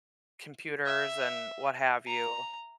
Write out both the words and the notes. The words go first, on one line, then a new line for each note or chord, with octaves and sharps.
computers and what have you,
E5
A#5